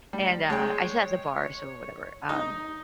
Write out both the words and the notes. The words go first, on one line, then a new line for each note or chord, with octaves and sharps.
And, uh, I sat at the bar so whatever, um,
G3
G#3 C#5 G5
D#4